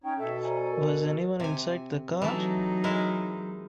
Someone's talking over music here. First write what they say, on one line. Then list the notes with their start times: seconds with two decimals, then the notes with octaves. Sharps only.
Was any one inside the car?
0.04 C#4 D#4 C#5 G5
0.19 B2 A4 E5 A5
0.44 C5 D5 G#5 A#5
0.71 A#4
1.40 C3 G#5
2.22 E3 F#3 A3 D#4
2.84 G#3 E4 A#4